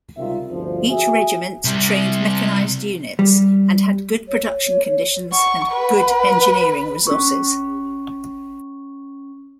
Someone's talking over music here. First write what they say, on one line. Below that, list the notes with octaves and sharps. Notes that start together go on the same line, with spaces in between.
Each regiment trained mechanized units, and had good production conditions and good engineering resources.
C#2 C3 D#3 G3 F4 E5
G1 D2 F3
F#4 G#4 E5
C3 G3
G3
C#5
F#5 C#6
B4
C#4 C#6